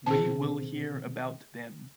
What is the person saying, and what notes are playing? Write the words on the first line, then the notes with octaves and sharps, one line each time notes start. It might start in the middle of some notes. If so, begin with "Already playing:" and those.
We will hear about them.
B2 D#3 C4 G#4 A5